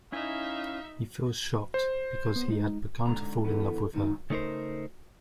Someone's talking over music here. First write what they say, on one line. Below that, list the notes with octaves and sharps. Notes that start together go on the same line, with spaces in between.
He feels shocked, because he had begun to fall in love with her.
C#4 D#4 E4 E5 F5 G#5
C5
B3
G#3 D#4
G#2 D3 A#5
D3 E3 B3 A4
G#2 D#3 D#4
C#3 A3 D#4 A#4 C5